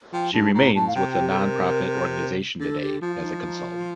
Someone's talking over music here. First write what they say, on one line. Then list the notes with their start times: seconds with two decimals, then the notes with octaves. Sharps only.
She remains with the non-profit organization today as a consultant.
0.13 F3 G5
0.33 G2 A5
0.54 A2 A#5
0.75 A2 A5
0.88 F5
0.95 C3 G5
1.12 F4
1.21 G4
1.28 A4
1.37 A#4
2.60 D3 A4
2.81 G4
3.02 F3 F4
3.15 F4
3.22 D#4
3.42 D#4
3.64 F4